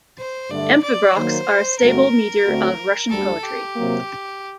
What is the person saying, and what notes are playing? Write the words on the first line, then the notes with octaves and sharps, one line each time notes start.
Amphibrachs are a staple meter of Russian poetry.
C5
G2 D3 A3 D5
D5
D#3 F#3 A#3 C5
G2 D3 A3 C4 F#4 A#4
D2 D3 A3 C4 F#4
D2 D3 G3 A4
G4
C3 F#3 A#3